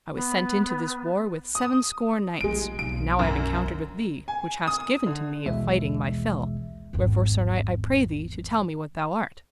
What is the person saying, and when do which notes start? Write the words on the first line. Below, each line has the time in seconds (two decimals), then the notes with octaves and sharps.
I was sent into this war with seven score knights, and now I have encountered with thee, which hast given to me of fighting my fill, wherefore sir knight, I pray thee to tell me what thou art.
0.14 B3
1.55 D#6
2.41 A#1 G3 G#3 D7
2.79 B1 A#2 D7
3.19 F#2
3.66 D2
4.28 G#5
4.67 D#6
5.06 D3
5.46 A#1 D#2 B2 E3 G#3 E5
6.93 G#1 E2